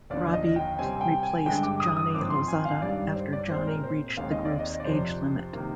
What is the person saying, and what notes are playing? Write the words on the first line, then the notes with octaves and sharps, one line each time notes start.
Robi replaced Johnny Lozada after Johnny reached the group's age limit.
D#2 D3 F3 D5
D#5
G5
C3 G3 C4 G#5
G5
G#5
G2 D3 G#3 G5
D6
D#6
D#6
G#2 F3 C4 D6
C6
G#5
F5
G2 D#3 G3 D5
C5
D5
A#2 G#3 C4 C5
A#4
C5
D#2 D#3 G#3 C4 F5
D#5
D5
D#5
D5
F2 C3 F3 C5
C3 D#3 G3 A#3